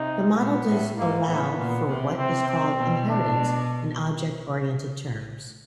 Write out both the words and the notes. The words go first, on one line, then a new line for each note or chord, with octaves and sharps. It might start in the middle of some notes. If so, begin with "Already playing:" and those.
The model does allow for what is called inheritance in object oriented terms.
Already playing: C3 D#4
A#2 B3
A2
G#2 A#3
A2 B3
A#2
C3
C4
C4
B2
D4